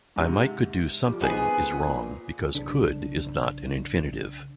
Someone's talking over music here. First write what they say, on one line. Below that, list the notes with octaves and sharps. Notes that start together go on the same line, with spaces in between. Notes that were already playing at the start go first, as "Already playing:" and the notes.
"I might could do something" is wrong because "could" is not an infinitive.
G#2 C3
F3 G3 D6
B3 C4 D#4 G#4 B4
A#2
B1 C#3 D4